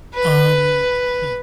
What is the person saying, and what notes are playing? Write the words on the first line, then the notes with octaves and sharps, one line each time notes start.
Um. Hmm.
B4